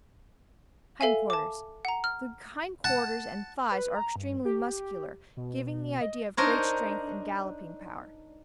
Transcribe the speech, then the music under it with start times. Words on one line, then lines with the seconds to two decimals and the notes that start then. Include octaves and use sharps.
HIND-QUARTERS--The hind-quarters and thighs are extremely muscular, giving the idea of great strength and galloping power.
1.01 A4 E5 F5 G#5
1.30 A5 D6
1.85 F#5 A#5
2.04 F6
2.84 F#5 A5
3.72 B4
3.95 A#5
4.16 G2
4.45 G4
5.37 B2
6.01 D#5
6.37 D4 D#4 A#4 C5 C#5